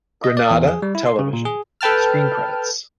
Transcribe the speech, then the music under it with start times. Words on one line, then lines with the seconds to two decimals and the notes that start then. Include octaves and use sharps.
Granada Television: screen credits.
0.24 D#5
0.37 D5
0.51 E2
0.68 G#4
0.82 G3
0.95 E4
1.06 C6
1.19 C#3
1.33 A#2
1.45 G#4
1.81 A4 B4 G5 A5 F6